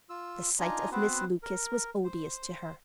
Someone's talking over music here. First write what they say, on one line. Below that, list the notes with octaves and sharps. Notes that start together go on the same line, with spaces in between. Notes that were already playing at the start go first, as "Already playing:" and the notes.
The sight of Miss Lucas was odious to her.
F4 E6
D4 D#4 F4 D#5 G#5 A#5
B3 C4 F#4 B4 C5
A#4
C5